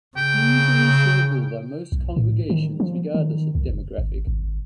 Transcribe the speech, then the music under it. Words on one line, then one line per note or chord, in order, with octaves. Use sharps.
Easily singable by most congregations regardless of demographic.
C#3 G5
B1
A2
D#3
F3
D#3
C2
F#1
G#1
G#1